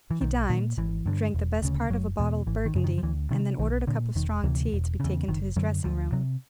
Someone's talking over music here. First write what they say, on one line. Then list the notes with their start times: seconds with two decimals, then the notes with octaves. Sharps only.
He dined, drank the best part of a bottle of Burgundy, and then ordered a cup of strong tea to be taken to his dressing-room.
0.11 E3
0.21 B1 D#3
0.49 A#2 D#3
0.77 G#1 E3
1.06 G2 D3
1.34 E1
1.62 D2 C#3
1.90 F#1 F#3
2.18 E2 B2
2.47 G#1 E3
2.66 D#3
2.75 F#2 C#3
2.84 D#3
2.98 F3
3.03 D2 E3
3.31 C3 D#3
3.59 B1 D#3
3.87 A#2 D3
4.15 E1 D#3
4.44 D2 C3 E3
4.72 E1
5.00 E2 C#3
5.28 F#1 D#3
5.56 F#2 D3 F#3
5.84 D2 F3
6.13 C3 F#3